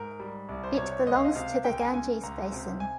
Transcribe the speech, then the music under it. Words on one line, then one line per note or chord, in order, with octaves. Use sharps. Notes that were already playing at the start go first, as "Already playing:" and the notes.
It belongs to the Ganges Basin.
Already playing: G#2 A#4
G3
C2
C5
C3 C#5
C#5
C#2 D#5
F5
D#5
C3 F5
C#2 G5
G#5
C#3 G#5
C#2 A#5
C3
G#5